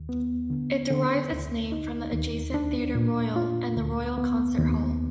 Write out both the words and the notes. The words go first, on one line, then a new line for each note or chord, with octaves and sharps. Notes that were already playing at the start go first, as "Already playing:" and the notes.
It derives its name from the adjacent Theatre Royal and the Royal Concert Hall.
Already playing: D#2
B3
D3
D3
D2
D#4
D#2
D4
A#2
F4
D2
B3
D#2